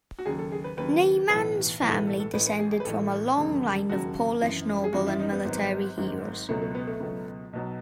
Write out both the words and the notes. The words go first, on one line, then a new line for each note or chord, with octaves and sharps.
Neyman's family descended from a long line of Polish nobles and military heroes.
F#4
D#2 C#3 F#3 G#4
A4
G#4
B4
D#2 C#3 F#3 B4
B1 A2 E3 B4
B1 A2 E3 B4
A4
B4
A4
A4
A1 A2 E3 B4
B4
G#4
G#4
B4
A1 A2 E3 A4
E1 D#2 C#3 F#3
E1 D#2 C#3 F#3 F#4
G#1 F#2 E3
G#4
G#1 F#2 E3 F#4
E4
D#4
B3
G#1 G#2 F#3
G#1 G#2 F#3
C#2 B2 F#3 A3
A3
B3
A3
C#2 B2 F#3
B1 B2 F#3